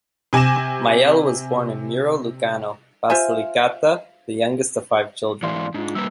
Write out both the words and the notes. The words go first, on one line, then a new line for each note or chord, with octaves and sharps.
Majella was born in Muro Lucano, Basilicata, the youngest of five children.
C3 G#5 D6 A#6 E7
F4 C5 E5 G#5
G#2 E3 D5 F5 C6
G#2 D4 F4
G3 A#3 B4 E6